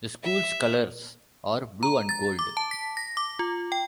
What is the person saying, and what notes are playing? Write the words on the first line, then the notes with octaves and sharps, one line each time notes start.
The school's colors are blue and gold.
E5
A#5
A6
D6
A5
B6
A#6
D6
F4
G5